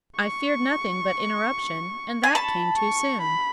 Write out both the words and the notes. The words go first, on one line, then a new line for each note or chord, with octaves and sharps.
I feared nothing but interruption, and that came too soon.
C#6
G#5
A5 B5
C#6
B5